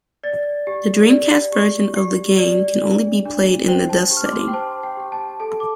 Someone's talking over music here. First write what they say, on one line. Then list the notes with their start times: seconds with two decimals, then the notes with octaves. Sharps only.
The Dreamcast version of the game can only be played in the dusk setting.
0.23 D5 A6
0.67 G4
1.09 D5
1.52 G4
1.96 G4
2.38 D5
2.82 D4
3.25 D4
3.68 C5 G5
3.89 A5
4.11 G4
4.17 F6
4.26 D6
4.32 C6
4.48 G5
4.53 C5 A5
4.83 G5
4.97 G4 G5
5.12 A5
5.40 A4 A5
5.60 D6